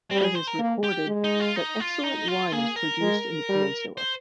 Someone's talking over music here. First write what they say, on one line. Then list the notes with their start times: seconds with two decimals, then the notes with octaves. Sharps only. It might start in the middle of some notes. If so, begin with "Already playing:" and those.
It is recorded that excellent wine was produced in the peninsula.
0.11 G3 C4
0.23 G#4
0.35 C5
0.47 A#4
0.59 A#3
0.84 G4
1.07 G#3
1.24 D#4
1.40 F4
1.56 D#4
1.80 F4
2.04 D#4
2.28 F4
2.52 A#3 G#4
2.76 A#4
3.01 G#3
3.49 G3
3.97 C5